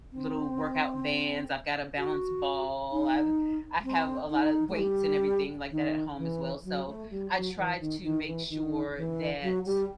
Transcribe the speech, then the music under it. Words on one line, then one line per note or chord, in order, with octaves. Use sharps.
little workout bands, I've got a balance ball, I've I have a lotta weights and everything like that at home, as well, so, I try to make sure that
C4
F#4
D#4
C4
D#4
A3
G3
D#3
E3
F#3
A3
G3
F#3
E3
D#3
D#3
E3
D#3
E3
F#3
G3